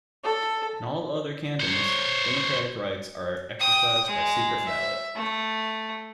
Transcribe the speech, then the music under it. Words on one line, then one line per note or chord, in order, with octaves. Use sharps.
In all other cantons democratic rights are exercised by secret ballot.
A4
C5 C#5
G5 D#6
G#3
E5
A3